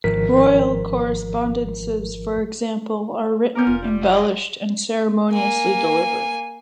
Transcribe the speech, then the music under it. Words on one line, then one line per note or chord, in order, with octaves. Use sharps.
Royal correspondences for example are written, embellished and ceremoniously delivered.
G#1 F3 A#4 B6
C#4 A#4 A#5 D6 G6
F1 F4
G3
C2 D#5
A#3 G#5